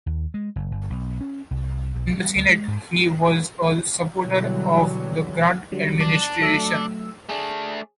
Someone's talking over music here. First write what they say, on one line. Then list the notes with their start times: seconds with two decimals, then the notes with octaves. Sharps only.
In the Senate he was a supporter of the Grant Administration.
0.06 D#2
0.34 G#3
0.56 F#1
0.71 G1
0.90 B1
1.21 C#4
1.51 C2
1.96 B1
2.14 G3
2.36 D2
2.49 G#3
2.68 G#2
4.17 B2 D3 E3 F#3 G3
5.72 D3 F#3 G3
6.00 D4
6.41 F#3 A3 E6
7.29 A3 D4 G#4